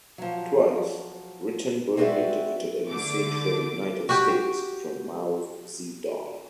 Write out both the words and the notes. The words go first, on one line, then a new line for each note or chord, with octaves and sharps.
Twice, Rittenberg interpreted a message for the United States from Mao Zedong.
F3 F#3
G#3 C4 F#4 B4 D5 E5
D3 A3 D6
F#4 G4